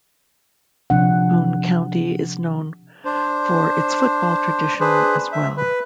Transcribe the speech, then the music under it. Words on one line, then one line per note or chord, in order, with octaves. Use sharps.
Boone County is known for its football tradition as well.
C3 F3 D4 F#5
D4 C5
D4 G#4 B4 C5
E5
B4